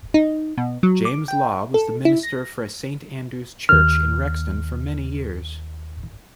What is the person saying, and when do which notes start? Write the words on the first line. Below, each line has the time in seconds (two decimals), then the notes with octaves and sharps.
James Law was the Minister for Saint Andrew's Church in Rexton for many years.
0.14 D#4
0.58 B2
0.83 F#3
1.05 D6
1.28 G5
1.74 A4
2.05 E4
2.23 A#6
3.69 D#2 F6